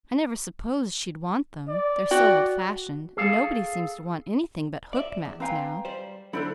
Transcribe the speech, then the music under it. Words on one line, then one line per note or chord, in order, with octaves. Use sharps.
I never supposed she'd want them--they're so old-fashioned, and nobody seems to want anything but hooked mats now.
D5
F#4 G5
G#4 A4 F5
D5 E5
E2
C4 B4 F5 G5 G#5 A#5 C6
G3 C5
D3 F#3 E4 A4 C5 B5 D7